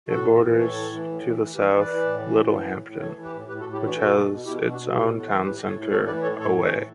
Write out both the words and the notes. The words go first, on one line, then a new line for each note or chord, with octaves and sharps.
It borders, to the south, Littlehampton, which has its town centre away.
A2 F#4 A4
E3
E3
A2 A4 C#5
E3
E3
A2
E3
E3
E3 G4 B4
E3
B4 D5
E3
A2
E3
A2
E3
A2
A2
E3 A4 C#5
E3
G4 B4
A2
A2 G4 B4
F#4 A4
A2
E4 G4
E3 D4 F#4
B2 F#4 A4
B2
B2
B2 E4 G4
B2
D4 F#4
B2
A2 E4 G4
A2
F#4 A4
E3
A2 G4 B4
A2
A4 C#5
A2
A2 A4 C#5
E3 B4 D5
A2 A4 C#5
A2 A4 C#5
E3
A4 C#5
A2